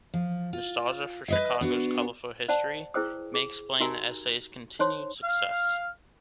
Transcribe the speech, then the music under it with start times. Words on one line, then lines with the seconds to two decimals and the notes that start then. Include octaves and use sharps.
Nostalgia for Chicago's colorful history may explain the essay's continued success.
0.14 F3
0.53 F4
1.28 B4 D#5 E5
1.61 B3 D4 F#4
2.48 C5 D5 F#5 A5
2.94 E4 G#4 B4 C5 G5 D#6
3.34 G#4
3.80 D#4 F#4 G4 A#4 G#5 A#5
4.79 D#4 C5 C#5 C6
5.24 F5 F6